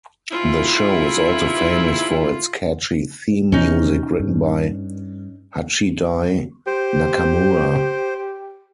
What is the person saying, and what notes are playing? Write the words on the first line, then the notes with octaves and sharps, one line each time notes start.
The show is also famous for its catchy theme music written by Hachidai Nakamura.
G#2 E4 F4
E2 C3 C#4 D#4
G2
G4 C5